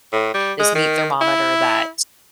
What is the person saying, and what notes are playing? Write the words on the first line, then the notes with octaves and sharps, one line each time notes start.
this meat thermometer that
A2
G3
G#3
D#3
E4